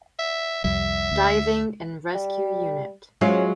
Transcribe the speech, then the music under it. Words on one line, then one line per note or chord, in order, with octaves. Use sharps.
Diving and Rescue Unit.
E5
C2 F2 G3 E5
D2
G3
F#3 G#3 C#4 F4